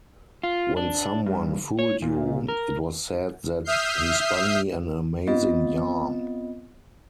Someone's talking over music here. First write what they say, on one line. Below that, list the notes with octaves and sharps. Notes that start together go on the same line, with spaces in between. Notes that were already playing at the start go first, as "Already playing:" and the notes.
When someone fooled you, it was said that "he spun me an amazing yarn".
F4
D4
G2
C#5
A#2
A#4
E5 D#6 F6 G6 C7
B3 C4 F4 D#5